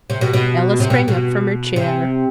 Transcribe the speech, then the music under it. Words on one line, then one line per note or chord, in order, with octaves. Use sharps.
Ella sprang up from her chair.
C3
B2
B2
C3
B2
B2
C3